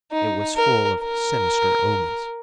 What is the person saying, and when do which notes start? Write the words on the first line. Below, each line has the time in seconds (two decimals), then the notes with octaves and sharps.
It was full of sinister omens.
0.12 D#4
0.56 A#4
1.01 A#4